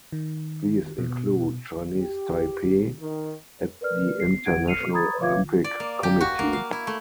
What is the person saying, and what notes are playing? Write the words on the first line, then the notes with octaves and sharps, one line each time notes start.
These include "Chinese Taipei" at the International Olympic Committee.
D#3
B2
G4
D#3
A#4 B4 D5 F6
C7
E4 F#5 G#6 D7
F6 C7 C#7 D#7 F7
A#5 B5 D#6 G#6 A6
B4 C#5 E5 F5 D6 G#6
D5
A#3
G4
F#4
A#3
F5
E4
A3